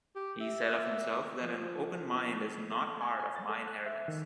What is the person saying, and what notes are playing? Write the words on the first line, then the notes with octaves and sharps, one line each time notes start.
He said of himself that an open mind is not part of my inheritance.
G4
E5
F3
A4
G#5
G#5
A6
A4
F#6
E5
D#3